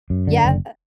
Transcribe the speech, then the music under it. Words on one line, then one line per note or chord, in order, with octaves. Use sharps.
Yeah, uh
F#2
D3
F#1